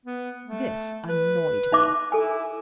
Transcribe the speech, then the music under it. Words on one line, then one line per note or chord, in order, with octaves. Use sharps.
This annoyed me.
B3
A3
B4
D#4 E5 D6
E4 A4 G#5